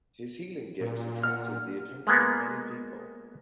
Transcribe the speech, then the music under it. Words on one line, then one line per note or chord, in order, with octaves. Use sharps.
His healing gifts attracted the attention of many people.
A#2
F#5 F6
G#3 A#3 B3